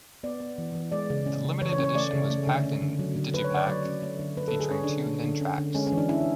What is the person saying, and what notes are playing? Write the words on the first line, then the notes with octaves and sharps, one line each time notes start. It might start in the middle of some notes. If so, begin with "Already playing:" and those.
The limited edition was packed in digipak, featuring two hidden tracks.
B3 D5
B3
E3
E3
G#3 D5
C#3
C#4
C#3
E3 C#5
C#5
C#4
C#5
A3 D5
C#3
A3
D3
C#4
D3
F#3
D3
A3 B4
C#5
D3
D5
F#3 C#5
C#4
A3
D3
A3 B4
A4
D3
G#4
C#4 C#5
D4
D3
A3
D3
C#4
D3
G#3 C#4
C#4
E3
D4
C#4 E4